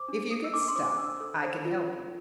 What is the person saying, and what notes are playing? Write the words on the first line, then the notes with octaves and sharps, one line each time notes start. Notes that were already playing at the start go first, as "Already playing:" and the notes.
If you get stuck I can help you.
Already playing: C5 D6
D4
A4
E6
D4 D6
C6
C5 D6
D4 E6
A4
C5
F4
F4